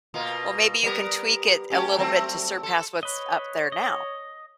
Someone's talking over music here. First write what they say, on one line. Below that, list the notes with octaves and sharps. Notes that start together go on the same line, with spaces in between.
Well, maybe you can tweak it a little bit to surpass what's up there now.
B2 A#3 F4
G3 B3 A#4
A3 C#4 G4
F#3 A3 C4
A4
B4 C#5 D#5
D#5